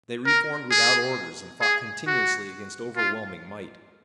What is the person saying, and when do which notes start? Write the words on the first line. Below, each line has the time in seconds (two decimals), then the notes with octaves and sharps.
They re-formed without orders and fought continuously against overwhelming might.
0.26 A#4
0.71 G#4
1.61 G#4
2.07 F#4
2.96 F4